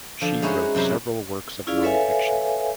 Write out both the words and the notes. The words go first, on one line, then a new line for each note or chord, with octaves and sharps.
She wrote several works of non-fiction.
D3 F3
G#3 C#4 D#4 E4 F#4 C5
F#2 C3 F#3 C5 B5
C#4 E4 F4 G#4 D5 F5
A4 B4 C#5 E5 F5 G#5